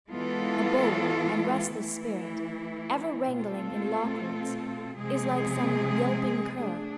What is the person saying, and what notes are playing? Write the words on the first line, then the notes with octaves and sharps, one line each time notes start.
A bold and restless spirit, ever wrangling in law-courts, is like some yelping cur.
E3 G#3 B3 F4 A4
E3 A3 E4
B2 A3 C4 F4 A4
C3 F3 G#3 C4 G#4
A3 D4 G#4